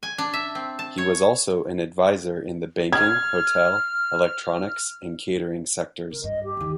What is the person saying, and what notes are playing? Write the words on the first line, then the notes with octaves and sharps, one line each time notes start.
He was also an adviser in the banking, hotel, electronics, and catering sectors.
G#5
D4
E5
C4
A5
C#5
F6 G#6
C3 A#4
G2 D#5
G4
D#2 D#3